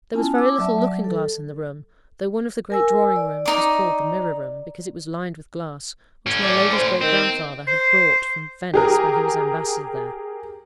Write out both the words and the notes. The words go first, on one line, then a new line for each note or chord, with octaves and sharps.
There was very little looking-glass in the room, though one of the great drawing- rooms was called the "Mirror Room," because it was lined with glass, which my lady's great-grandfather had brought from Venice when he was ambassador there.
B3 C#4 E4 F4 G#5 A5
D6 E6
F#3 D5 E5 A5
F#3
A4
A#4 G#5 E6
D5
D#4 D6
A2 C#4
D5
C5
D#3 C4
C5
G4 G#4 A#4